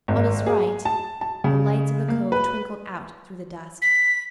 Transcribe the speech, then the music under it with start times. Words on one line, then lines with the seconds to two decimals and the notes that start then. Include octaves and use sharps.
On his right the lights of the Cove twinkled out through the dusk.
0.08 G#1
0.46 G#4
0.85 A5
1.21 A5
1.44 C#3
2.08 A#3
2.32 B4
3.82 B6